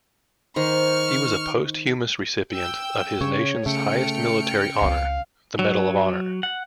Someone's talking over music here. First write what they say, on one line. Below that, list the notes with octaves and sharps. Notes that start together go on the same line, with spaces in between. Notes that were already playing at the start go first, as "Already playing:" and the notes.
He was a posthumous recipient of his nation's highest military honor-the Medal of Honor.
D#3 C5 C#6 F6
G5 E6 G6
C#3 C#5
C#3 A3 G5 F6 C#7
C#2 C4 F5
F#3
F#5